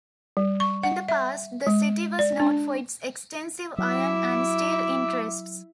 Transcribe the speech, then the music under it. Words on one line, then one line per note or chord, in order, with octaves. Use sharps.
In the past, the city was known for its extensive iron and steel interests.
G3
C#6
F#5
E5
G#3
D5
D4
F#3 E4 E5 D6